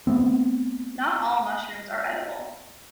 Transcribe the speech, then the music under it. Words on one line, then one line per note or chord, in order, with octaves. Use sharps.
Not all mushrooms are edible.
A3 B3 C4